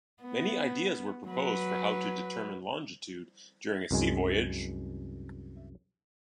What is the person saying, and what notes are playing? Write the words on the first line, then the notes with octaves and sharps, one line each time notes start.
Many ideas were proposed for how to determine longitude during a sea voyage.
B3
F#3 B4
C2 F#2 G#3 G#5